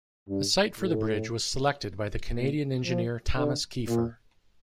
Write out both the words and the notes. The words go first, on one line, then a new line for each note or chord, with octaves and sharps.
A site for the bridge was selected by the Canadian engineer Thomas Keefer.
G2
A2
A#2
F3
D3
A#2